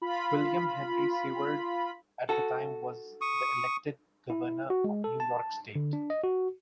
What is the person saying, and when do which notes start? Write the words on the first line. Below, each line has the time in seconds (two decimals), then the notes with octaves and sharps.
William Henry Seward at the time was the elected governor of New York State.
0.02 F4 B5
2.29 F#4 A4
3.21 C#6 D#6
4.30 E4
4.70 F#4
4.84 G#3
5.04 A4
5.20 A5
5.75 D3
5.93 D4
6.10 D#5
6.23 F#4